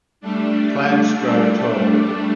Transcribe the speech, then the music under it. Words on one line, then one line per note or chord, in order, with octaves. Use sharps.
Plants grow tall.
G3 A3 D4